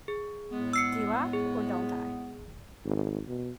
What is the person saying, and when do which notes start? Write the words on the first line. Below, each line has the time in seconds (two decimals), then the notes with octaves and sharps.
Do I, or don't I?
0.08 G#4
0.51 A2 G#3 B3
0.73 E6 C7 C#7
1.33 G#4
2.85 G#1
3.28 B2